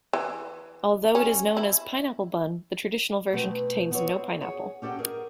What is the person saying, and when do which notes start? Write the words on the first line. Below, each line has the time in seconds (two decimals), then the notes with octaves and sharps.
Although it is known as "pineapple bun", the traditional version contains no pineapple.
0.13 E3
1.15 C#4
1.57 E4
3.32 B2 A3 C4 B4
3.91 B3 C4 E4 C#5
4.41 G#4 C#5 F#5
4.82 C#4 G4 A4 D#5 F#5
4.99 G#4 A#4